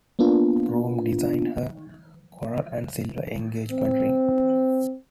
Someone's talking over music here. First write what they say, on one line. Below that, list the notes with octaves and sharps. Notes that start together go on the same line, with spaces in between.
The groom designed her coral and silver engagement ring.
A#3 B3 D4 F4
C4